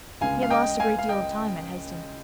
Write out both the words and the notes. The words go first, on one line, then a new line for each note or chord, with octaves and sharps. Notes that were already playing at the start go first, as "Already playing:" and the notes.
He had lost a great deal of time at Hesdin.
C#2 C#3 G#3 F5 G#5
F5
D#5 G5
F5 G#5
F5
D#5 G5